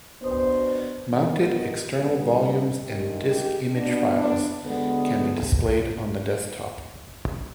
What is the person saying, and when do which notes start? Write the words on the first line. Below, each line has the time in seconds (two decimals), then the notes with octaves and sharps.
Mounted external volumes and disk image files can be displayed on the desktop.
0.21 B2 B3 D4 C5
1.09 G2 D#3 B3
1.97 G2 D3 G3 B3 G#4
2.85 G2 D#3 G#3 G4
3.30 G4
3.73 B2 B3 D4
4.18 D4
4.62 D2 D3 G#3 B3